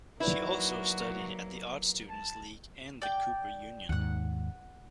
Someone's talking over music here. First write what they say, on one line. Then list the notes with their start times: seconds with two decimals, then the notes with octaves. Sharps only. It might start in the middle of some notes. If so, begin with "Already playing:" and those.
She also studied at the Art Students League and the Cooper Union.
0.20 F#3 A#3 D#4 E4 F#4 B4 D5
2.09 A5
3.02 D5 G5
3.89 D#2 G#2 F#5 F#6